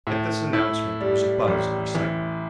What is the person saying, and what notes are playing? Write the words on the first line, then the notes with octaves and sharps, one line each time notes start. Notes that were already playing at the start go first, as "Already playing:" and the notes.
At this announcement there was a buzz of excitement.
A2
E4
G3
A1
E3